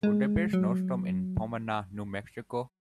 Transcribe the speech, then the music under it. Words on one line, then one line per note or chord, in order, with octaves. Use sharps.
Will there be a snowstorm in Pomona, New Mexico?
G#3
F#3